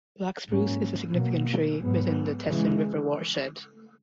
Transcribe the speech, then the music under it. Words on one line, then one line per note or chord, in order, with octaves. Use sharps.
Black Spruce is a significant tree within the Teslin River watershed.
G#2 F#3 A#3 C#4
B2 F#3 A#3
G#2 F#3 B3
C#3 E3 G#3